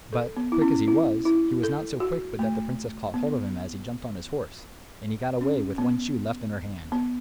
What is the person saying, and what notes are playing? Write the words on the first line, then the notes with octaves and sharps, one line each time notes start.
But, quick as he was, he was not so quick but that the princess caught hold of him as he jumped on his horse, and he got away with one shoe left in her hand.
A4
B3
E4
C#4
E4
E4
A4
F#4
A3
B3
C#4
B3
B3